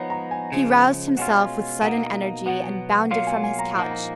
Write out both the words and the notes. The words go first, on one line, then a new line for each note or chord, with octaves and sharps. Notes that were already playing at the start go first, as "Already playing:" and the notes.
He roused himself with sudden energy and bounded from his couch.
Already playing: F3 B3 D#4 C#5
A#5
G#5
C#3 F3 G#3
B2 G#3 C#4 F4 F#5
B2 A#3 D#4 F#5
B2 F#3 B3 F#5
B2 F#3 A#3 F4 F5
G#5
G#5
A#5
A#2 F3 A#3 D#4 F#5
A#5